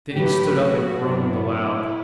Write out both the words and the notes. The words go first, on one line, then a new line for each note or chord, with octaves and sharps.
Then he stood up and groaned aloud.
A2 F#3 A3 G4 B4
F#4
G2 F#3 B3 D4 E4